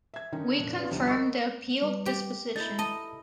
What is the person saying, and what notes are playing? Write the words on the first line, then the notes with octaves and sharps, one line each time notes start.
We confirm the appealed disposition.
E5 G#6
D3 D#3 C#4 D#4
F1 A#2 D4
B3 C#4 F4 D5
D2 C3 F3 G3
A#4 D#5 C#6 E6
G3 B4
G4
D#4 E4 A4 A6
D#5 A5